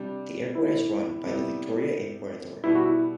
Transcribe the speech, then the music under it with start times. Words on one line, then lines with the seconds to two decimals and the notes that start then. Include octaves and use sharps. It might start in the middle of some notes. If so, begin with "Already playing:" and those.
The airport is run by the Victoria Airport Authority.
Already playing: C3 G3 D4
0.55 E4
1.25 C3 G3 B3 E4
2.64 B2 G3 B3 E4
2.75 F#4
2.86 E4